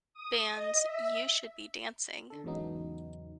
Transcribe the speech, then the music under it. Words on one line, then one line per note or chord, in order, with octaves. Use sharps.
Band's "You Should Be Dancing".
D#6
D#5
E5
D3 A4
E2 G#2 C#3 F#3 B3 D#4